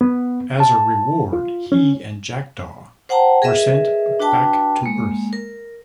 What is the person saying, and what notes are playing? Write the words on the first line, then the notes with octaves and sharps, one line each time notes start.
As a reward, he and Jackdaw were sent back to Earth.
B3
A5
F4
C#4
C5 F#5 G5 A5 A#5
G#4 A#4 B4 D#5 E5
D4 F#4 B4 G5 A5
G#3 A#3
A#4